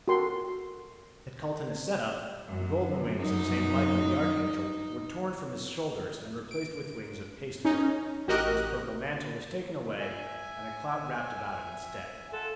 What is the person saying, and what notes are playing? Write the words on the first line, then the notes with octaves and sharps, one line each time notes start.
At Caltanisetta the golden wings of St. Michael the Archangel were torn from his shoulders and replaced with wings of pasteboard; his purple mantle was taken away and a clout wrapt about him instead.
F#4 A4 A#4 G5 C6
F#2
D#4
D7
C#4 D#4
A1 F#4 G4 A#4 D#5 F#6
E5 G#5
F4 A4 F#5